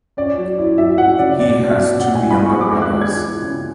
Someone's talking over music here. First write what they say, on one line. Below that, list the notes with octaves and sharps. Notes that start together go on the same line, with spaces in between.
He has two younger brothers.
C#4 D5
F#3
E4
F#3 E5
F#3 F#5
C#3 D5
B2 D5
B2
E5
B2
B2 F#5
E4 G#5
B5
B2 C#6
G#3 D6
G#3 F#6
D4 G#6
E3
C#3